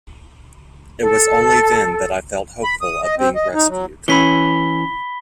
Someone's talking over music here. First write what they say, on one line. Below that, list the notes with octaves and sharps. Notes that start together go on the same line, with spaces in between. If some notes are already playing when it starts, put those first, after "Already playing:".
It was only then that I felt hopeful of being rescued.
A4
B5
D#6
D#5
C4
D#5
D#4
F#3
E3 C#4 B5 B6 G7